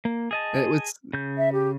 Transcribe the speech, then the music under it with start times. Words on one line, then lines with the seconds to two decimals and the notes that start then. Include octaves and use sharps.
It was
0.05 A#3
0.31 G#4 D#5 A5
1.13 C#3 G6
1.38 E5
1.53 G4